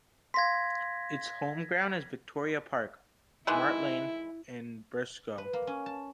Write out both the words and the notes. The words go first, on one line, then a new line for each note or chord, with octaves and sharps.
Its home ground is Victoria Park, Mart Lane, in Burscough.
F5 C6 G#6 A#6 B6
D#3 E3 G#3 E4
B4
A#3
C#4
A5